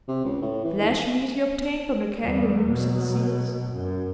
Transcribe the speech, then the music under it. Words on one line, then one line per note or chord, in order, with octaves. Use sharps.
Flesh meat he obtained from the kangaroos and seals.
C3
C#2
A2
E3
D#2
E2 G3
B2 F#3
F#2